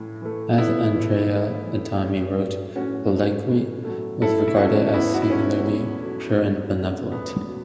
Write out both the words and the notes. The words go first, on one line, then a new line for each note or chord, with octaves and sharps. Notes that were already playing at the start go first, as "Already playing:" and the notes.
As Andrea Adami wrote, Allegri was regarded as singularly pure and benevolent.
Already playing: A2 E3
E3 A3
A2 B3 E4
E3 A3
A2
E3 A3
A2 C#4
F#3 A3
A2 C#4 F#4
F#3 A3
A2
F#3 A3
A2 E4 A4
E4
F#3 A3 C#4 F#4
C#4
E2 B3 E4
F#4
E4
B2 F#3 A3 C#4
E2
B2 F#3 A3
E2
B2 F#3 A3
E2 B3
B2 F#3